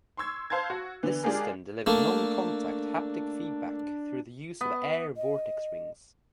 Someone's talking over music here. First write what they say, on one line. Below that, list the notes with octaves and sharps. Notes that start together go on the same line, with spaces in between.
This system delivered non-contact haptic feedback through the use of air vortex rings.
C6 C#6 E6 G#6
C5 F5 A5 C6 G#6
F#4
D3 E3 B3
G#3 D4 F4 G4 G#4 A#4
A3 A#3 D4
B3
D#5